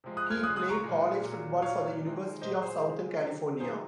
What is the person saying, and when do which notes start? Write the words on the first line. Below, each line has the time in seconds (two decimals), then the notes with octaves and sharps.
He played college football for the University of Southern California.
0.04 C3 F3 G#3
0.17 D#6 F#6
0.30 F6 G#6
0.43 C#3 D#6 F#6
0.47 G#3
0.56 D#6 F#6
0.70 A#5 C#6
0.84 A#2 G#3
1.22 A#2 F#3
1.62 A#2 F#3 C#5 F5
2.02 C3 D#3 G#3
2.41 A#2 F#3 C5 D#5
2.62 G#4 C5
2.81 C#3 F3 G#3
3.21 C3 F#3
3.60 C3 D#3 F#3 G#4 C5